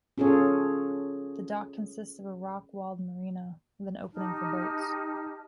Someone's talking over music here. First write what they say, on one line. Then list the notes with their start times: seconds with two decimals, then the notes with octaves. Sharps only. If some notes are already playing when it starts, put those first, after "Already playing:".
The dock consists of a rock-walled marina with an opening for boats.
0.18 C#4 F4 G#4 A4 C#5
4.14 D#4 G4 A5 F6